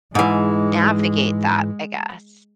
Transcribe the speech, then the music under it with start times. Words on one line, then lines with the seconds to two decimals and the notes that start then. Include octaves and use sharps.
navigate that, I guess?
0.15 G#2 E3 G#3